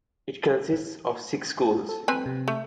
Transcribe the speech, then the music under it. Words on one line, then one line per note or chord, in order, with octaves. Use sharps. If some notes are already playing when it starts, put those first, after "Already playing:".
It consists of six schools.
A4
C4 B4 G#5
C3
A3